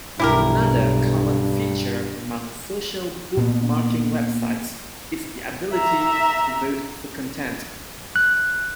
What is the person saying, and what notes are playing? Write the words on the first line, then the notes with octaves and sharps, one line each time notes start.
Another common feature among social bookmarking websites is the ability to vote for content.
B1 G2 E4 G4 A#4
A#2 B3
E5 A#5
F#6